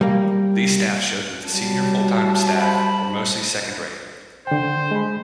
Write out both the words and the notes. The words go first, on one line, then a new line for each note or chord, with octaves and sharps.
These staff showed that the senior full-time staff were mostly second-rate.
G3 A#3
F#3 G3 A5
C5 B5
D3 C5 G5
G#3 B5